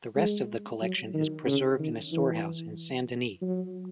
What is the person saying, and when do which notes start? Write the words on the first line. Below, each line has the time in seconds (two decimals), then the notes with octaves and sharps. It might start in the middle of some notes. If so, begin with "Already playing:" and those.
The rest of the collection is preserved in a storehouse in Saint-Denis.
0.16 G#3
0.82 F#3
1.14 D#3
1.46 C#3
1.79 D#3
2.12 E3
3.42 F#3